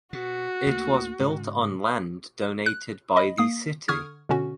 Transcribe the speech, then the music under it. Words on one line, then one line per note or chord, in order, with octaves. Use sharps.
It was built on land donated by the city.
B2 F#4
D2 A3 A#3
G#2 C#3
F#6
D#5 B5
A#3 D#6 C7
D3 C#6 D#6 F6 G#6
B2 D3 C#4 F#4